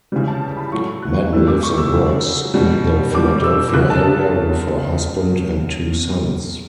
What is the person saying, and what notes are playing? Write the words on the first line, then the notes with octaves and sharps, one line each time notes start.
Madden lives and works in the Philadelphia area with her husband and two sons.
C#3 E3 G3
A5
B5
A2 F#3 C#6
F#6
A2 E3 G3 E6
D6
C#6
E6
C#3 F#3
B2 G3
B2 G3 D6
E6
C#3 F#3 F#6
A5